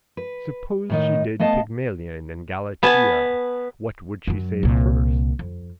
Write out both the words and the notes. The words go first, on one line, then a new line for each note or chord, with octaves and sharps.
Suppose she did Pygmalion and Galatea what would she say first?
B4
A2 D#3 D#4
A3 B3 D#5 F5 A5
B3 G#5 A5
F#2 F#3
C2 A#2
F2